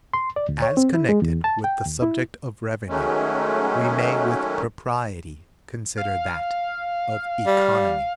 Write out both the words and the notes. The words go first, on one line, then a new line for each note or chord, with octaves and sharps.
As CONNECTED with the subject of revenue, we may with propriety consider that of economy.
C6
D5
D2
C#5
C4
E4
G#3
E2
A5
G5
D#2
E4
D#3 F#3 G#3 A3 C#4
F5
G3